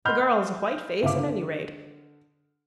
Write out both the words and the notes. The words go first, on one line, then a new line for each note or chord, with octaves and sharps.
The girl's a white face at any rate.
D#5 F#5 B5 C6 F6 G6
G1 C#2 E5 F5 D6
D3